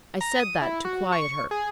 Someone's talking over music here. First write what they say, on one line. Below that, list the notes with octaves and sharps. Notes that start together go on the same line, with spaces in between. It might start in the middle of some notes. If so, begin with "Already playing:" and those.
I said that to quiet her.'
A#5
D#6
E4
F#4
C#6
G#4